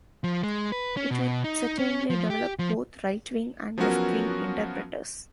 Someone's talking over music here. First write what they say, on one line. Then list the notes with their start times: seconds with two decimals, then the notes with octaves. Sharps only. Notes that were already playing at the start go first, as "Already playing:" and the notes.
It would certainly develop both right-wing and left-wing interpreters.
0.24 F3
0.43 G#3
0.72 B4
0.97 C#4
1.11 B2
1.44 D#4
1.79 C#4
2.10 F3
2.30 G4
2.59 F3
3.78 F3 F#3 B3 C#4 F#4 A#4